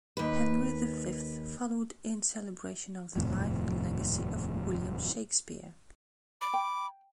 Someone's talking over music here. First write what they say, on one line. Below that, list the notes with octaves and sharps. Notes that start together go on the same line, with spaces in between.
"Henry the Fifth" followed in celebration of the life and legacy of William Shakespeare.
D#2 B4
D#1 F2 A2 C3
B5 D6
G5